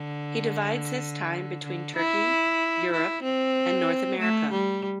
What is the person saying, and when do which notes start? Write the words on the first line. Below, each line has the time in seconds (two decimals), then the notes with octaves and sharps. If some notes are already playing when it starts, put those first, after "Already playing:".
He divides his time between Turkey, Europe and North America.
Already playing: D3
1.64 D3
1.96 E4
2.92 E4
3.23 C4
4.19 A3
4.52 G3